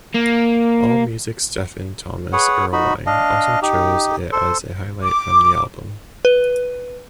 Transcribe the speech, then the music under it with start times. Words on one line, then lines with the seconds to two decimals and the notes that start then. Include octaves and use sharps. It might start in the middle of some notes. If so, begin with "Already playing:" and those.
Allmusic's Stephen Thomas Erlewine also chose it as a highlight from the album.
0.14 A#3
2.33 G#4 B4 C#5 F#5
2.73 D#4 F#4 B5
3.07 D4 D#5 F5
3.62 D#4 G4
4.32 A4 C5
5.02 D6
6.25 B4